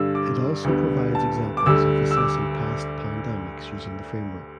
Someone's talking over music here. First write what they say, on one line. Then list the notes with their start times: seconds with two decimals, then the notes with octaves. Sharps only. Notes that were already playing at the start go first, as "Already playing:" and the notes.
It also provides examples of assessing past pandemics using the framework.
Already playing: G2 D3 G3 E6
0.15 D6
0.64 D2 D3 G3 B3
1.15 A5
1.57 D6
1.66 D2 D3 G3 E6
2.11 E6
2.17 D6